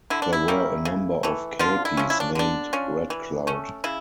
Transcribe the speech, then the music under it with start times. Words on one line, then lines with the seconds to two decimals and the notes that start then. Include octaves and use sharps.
There were a number of Kelpies named Red Cloud.
0.10 D3 E4
0.22 D4
0.33 E4
0.48 G3 A#3 C#4
0.85 C#3
1.23 E3 A3
1.59 D3 F3 F4
1.85 E4
1.97 F3 C#4
2.10 E4
2.20 D4
2.35 D3 D4
2.73 F3 C#4
3.10 E3
3.47 A3 C#4
3.84 C#3 E4